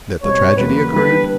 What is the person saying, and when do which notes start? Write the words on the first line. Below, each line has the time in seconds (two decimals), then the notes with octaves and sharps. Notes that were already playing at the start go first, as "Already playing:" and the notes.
"That the tragedy occurred?"
0.22 B2 G3 C4 C#5
0.57 E2 C#3 F#3 A#3 B4
0.91 D3 G3 B3 E4 B4